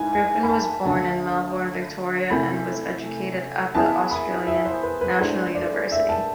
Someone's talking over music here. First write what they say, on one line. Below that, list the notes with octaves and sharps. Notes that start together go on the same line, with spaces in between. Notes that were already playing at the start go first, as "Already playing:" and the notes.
Griffin was born in Melbourne, Victoria, and was educated at the Australian National University.
Already playing: G#2 E3 G#5
G#5
B5
A5
D2 D3 F3 A5
C3 E3 A3 C4 B5
E3 B3 E4 G#4 A5
B5
E5
C5
B4
B4
A2 G#3 D4 A4 C5
D5
E5
A5